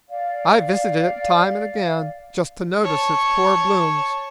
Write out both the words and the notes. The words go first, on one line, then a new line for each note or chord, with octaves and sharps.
I've visited it time an' again, just to notice its poor blooms.
D5 F5
C#5 A5